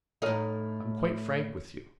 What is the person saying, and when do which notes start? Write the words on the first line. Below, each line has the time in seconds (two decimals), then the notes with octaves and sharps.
I'm quite frank with you.
0.22 A2 D#4 A4 C#5 F6